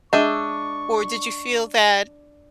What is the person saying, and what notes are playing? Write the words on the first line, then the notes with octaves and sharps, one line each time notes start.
Or did you feel that
G#3 D4 D#5 E5 G5 C#6